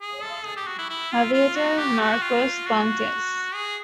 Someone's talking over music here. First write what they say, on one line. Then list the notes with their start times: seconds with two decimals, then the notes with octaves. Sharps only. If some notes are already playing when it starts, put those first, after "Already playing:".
Aviator Marcos Pontes.
0.01 G#4
0.23 A4
0.45 G#4
0.57 G4
0.67 F#4
0.78 E4
0.89 E4
1.12 F4
1.33 F4
1.56 F#4
1.78 G4
2.00 F#4
2.21 F4
2.66 F#4
3.54 G#4